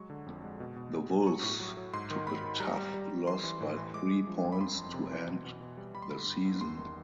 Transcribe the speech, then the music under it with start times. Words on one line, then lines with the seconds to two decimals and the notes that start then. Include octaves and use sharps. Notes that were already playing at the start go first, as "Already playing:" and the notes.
The Wolves took a tough loss by three points to end the season.
Already playing: F#3 G#3 C#6
0.10 D3
0.26 F2
0.44 G#3
0.60 B2
0.76 B2
0.93 B2
1.10 B2
1.27 F#3 C#6
1.43 A2
1.60 F#3
1.77 F#3
1.94 G#2 C6
2.11 D#3
2.27 G#2 B5
2.44 D#3
2.60 G3 A#5
2.77 G3
2.94 G3
3.10 G3
3.27 E3 C6
3.44 E3
3.61 A2
3.77 E3
3.94 G#3 D6
4.10 G#3
4.27 F3
4.44 F#2
4.52 B5
4.61 F2 C6
4.77 F2
4.94 C3
5.11 E3
5.27 B2
5.44 B2
5.61 B2
5.77 G3
5.95 G3 B5
6.02 C6
6.10 D3 B5
6.28 G2
6.45 G2
6.61 E2 C6
6.78 D#3